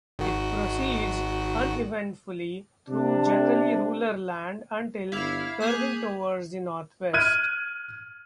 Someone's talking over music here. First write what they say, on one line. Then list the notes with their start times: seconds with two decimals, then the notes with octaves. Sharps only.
It proceeds uneventfully through generally rural land until curving towards the northwest.
0.19 G#1 D#3 F#4
2.89 C3 D4
5.12 G1 E4 F5 D6 G#6 B6
5.60 A#3 G#4 G#5 D6 F#6 G6 F7
7.13 F6 F#6 G#6 D#7